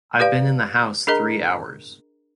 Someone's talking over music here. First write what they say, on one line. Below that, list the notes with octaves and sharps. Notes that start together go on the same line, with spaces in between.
I've been in the house three hours.
G4 B4 D5 F5
D4 G#4 A#4 D#5 A#5